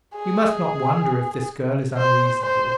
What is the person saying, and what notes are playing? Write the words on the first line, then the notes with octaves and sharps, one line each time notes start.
You must not wonder if this girl is unreasonable.
G#4
C5
C5